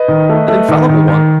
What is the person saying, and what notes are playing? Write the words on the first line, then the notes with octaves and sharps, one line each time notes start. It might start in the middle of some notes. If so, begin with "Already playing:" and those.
"An infallible one."
Already playing: B4 D#5
D#3
A3
A3
D#3
D#3
D#3